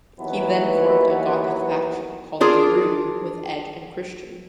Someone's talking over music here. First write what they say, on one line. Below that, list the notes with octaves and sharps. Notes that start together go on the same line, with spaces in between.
He then formed a gothic faction, called The Brood, with Edge and Christian.
D#2 E3 F#3 B3 B4
D4 F4 G#4 A#4